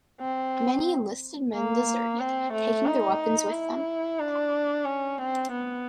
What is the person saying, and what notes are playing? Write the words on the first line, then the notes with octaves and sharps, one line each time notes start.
Many enlisted men deserted, taking their weapons with them.
C4
A#3
C4
A3
D#4
E4
D4
C#4
C4
B3